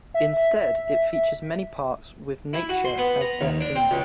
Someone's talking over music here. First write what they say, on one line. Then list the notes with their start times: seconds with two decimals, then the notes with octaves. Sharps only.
Instead, it features many parks with nature as their theme.
0.14 E5
2.53 E4
2.69 F#4
2.85 C6
2.98 B3
3.21 A#5
3.41 D#2
3.61 D4
3.75 C4
3.91 C#2